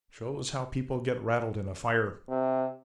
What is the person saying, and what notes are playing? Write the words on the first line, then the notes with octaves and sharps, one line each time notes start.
Shows how people get rattled in a fire.
C3